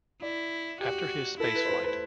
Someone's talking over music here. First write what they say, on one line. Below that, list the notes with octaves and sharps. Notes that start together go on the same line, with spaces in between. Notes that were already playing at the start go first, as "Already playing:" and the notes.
After his spaceflight.
E4 D5
F#4 G4
E4 A4
B4
C5
B4
B4